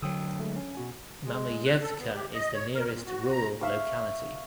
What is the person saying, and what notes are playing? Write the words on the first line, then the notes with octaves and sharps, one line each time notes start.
Mamayevka is the nearest rural locality.
D3 F#3 G5 D#6 E6
G#3 A3
C#4
B2 F#4 G#5
G#3
F#6
A4
B3
G4
D#5
C#5
A#4
A#2
F#4
A#5
E5 F5 C#6